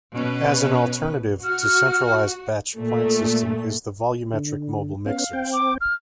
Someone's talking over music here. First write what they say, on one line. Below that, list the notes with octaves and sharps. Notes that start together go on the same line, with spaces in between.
As an alternative to centralized batch plant system is the volumetric mobile mixers.
B2 C#4 B4
F#4 F6
A#2 A3
D3
B3 C#4 F5
C4 G5
D6
F6